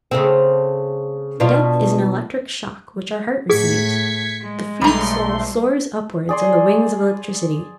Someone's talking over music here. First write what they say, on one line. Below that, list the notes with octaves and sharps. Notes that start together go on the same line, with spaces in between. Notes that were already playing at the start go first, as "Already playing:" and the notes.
Death is an electric shock which our heart receives; the freed soul soars upwards on the wings of electricity.
C#3 A3 C4
B2 D4 F4
A2 G#4 G#6 B6 C#7
G#3
B1 G3 A3 A#5 C6
G#4 D5 C6